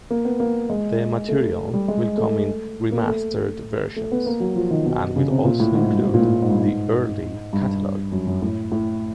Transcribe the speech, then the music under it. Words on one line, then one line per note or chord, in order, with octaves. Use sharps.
The material will come in remastered versions and will also include the early catalogue.
A#3
B3
A#3
G#3
A3
G3
G#3
A3
A#3
A3
A3
B3
A#3
F#3
F3
D#3
B2
C#3
C3
A#2
A2
G#2
G2
G#2
A#2
A2
A2
G#2
G2
G#2
G2
F#2
F#2
A2
A2